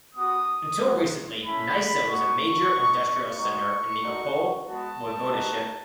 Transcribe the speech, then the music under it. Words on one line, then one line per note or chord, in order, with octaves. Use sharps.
Until recently, Nysa was a major industrial centre in the Opole Voivodeship.
B3 F#4 D#6
G#3 D#4 F#4
A3 C#4 E4 B5
B3 D#4 F#4 C#6
B3 D#4 F#4
G#3 D#4 F#4 C#6
A3 D#4 F#4
G#3 B3 F#4 A5
B3 D#4 F#4